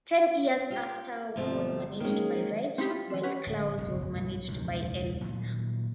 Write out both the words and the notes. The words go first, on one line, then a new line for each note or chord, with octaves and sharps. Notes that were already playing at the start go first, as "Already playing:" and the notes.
Ten Years After was managed by Wright, while Clouds was managed by Ellis.
F4 G4 G5
G1 B2 F3 A3 C4
D#3 F#3 G#3 A#3 C#4
C4 D#4 E4 G4
F4
E3 C4
C#4 G4 B4 C#5 F#5
D1
F#1 B1 E2 G#2
B1 G2 E3 G3
E1 C#2 F#2 D#3
A#2 D#3 F#3